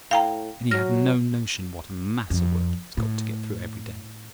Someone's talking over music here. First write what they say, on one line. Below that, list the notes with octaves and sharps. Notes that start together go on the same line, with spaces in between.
And you have no notion what a mass of work he has got to get through every day.
A2 F5 G5 A#5
F#3 F6 A#6
F2
A2